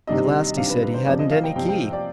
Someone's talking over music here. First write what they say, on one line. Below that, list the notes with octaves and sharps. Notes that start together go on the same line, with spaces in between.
At last he said he hadn't any key.
C3 D#3 G3 D4 D#5
D#5
C3 D#3 G3 D4 F5
B4
B4
C5
C3 F3 C4 D5
D#5
F5
G5
C3 F3 C4 G5
G5
D5